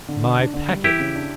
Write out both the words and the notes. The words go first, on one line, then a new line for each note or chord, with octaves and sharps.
"My packet?"
D3
D4
D4
D3
G3
E3 E4 G4
C#3
D4